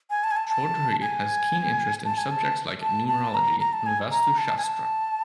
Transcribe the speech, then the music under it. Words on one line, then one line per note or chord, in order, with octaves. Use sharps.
Chaudhry has keen interest in subjects like Numerology and Vastu Shastra.
G#5
A5
G#5
A5
A5
G#5
A5
G#5
A5
A5
A5
A#5
A#5
A5
G#5
A#5
A5
G#5
A5